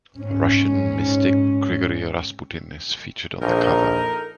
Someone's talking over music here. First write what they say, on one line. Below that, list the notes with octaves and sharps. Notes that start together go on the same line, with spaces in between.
Russian mystic Grigori Rasputin is featured on the cover.
G#2 C#4
A#1 D#4 A4 A#4